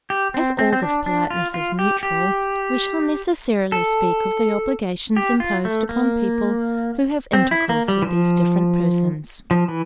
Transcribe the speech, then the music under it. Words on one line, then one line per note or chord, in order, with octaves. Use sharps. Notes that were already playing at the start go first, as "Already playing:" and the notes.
As all this politeness is mutual, we shall necessarily speak of the obligations imposed upon people who have intercourse with these different persons.
G4
C4
C4
C4
D4
D4
F4
F4
G4
G4
A4
G4
F4
A3
A#3
C4
E4
A#3
G3
E3
F3
F3
E3